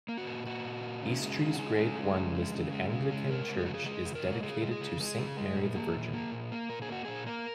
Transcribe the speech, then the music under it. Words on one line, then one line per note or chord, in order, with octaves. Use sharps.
Eastry's Grade One listed Anglican church is dedicated to Saint Mary the Virgin.
A#3
F#4
A#2
A#3 F#4
A#2
A#3
C#3
G#3
C#3
F#4
G#3 G#4
C#3
G#3
C#3
G#3
C#3
G#3
C#3
G#3
C#3 A#4
G#3
G#4
C#3 F#4
G#4
G#3 G#4
C#3
A#4
G#3
C#3 G#4
G#3
G#4
C#3
G#3 G#4
C#3
G#3
A#2
A#3
A#2
A#3
A#2
A#3
A#2 A#4
G#4
A#3 F#4
A#2 G#4
A#3 A#4